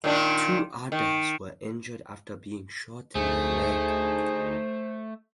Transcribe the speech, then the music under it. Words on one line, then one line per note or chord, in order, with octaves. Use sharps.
Two others were injured after being shot in the leg.
A#2 D#3 D4
D#3
D2 A3 D#4 G#4 C5